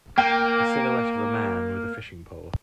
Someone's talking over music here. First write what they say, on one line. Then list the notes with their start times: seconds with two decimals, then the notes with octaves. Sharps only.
A silhouette of a man with a fishing pole.
0.18 A#3 G5